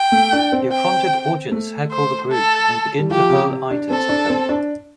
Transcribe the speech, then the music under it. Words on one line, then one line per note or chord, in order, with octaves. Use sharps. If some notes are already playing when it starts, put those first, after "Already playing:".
The affronted audience heckle the group, and begin to hurl items at them.
Already playing: G5
A3
D4
C4
G5
A3
C5
A4
G3
F3 G4
C3
C3
D4
C4 A4
D4
C4
D4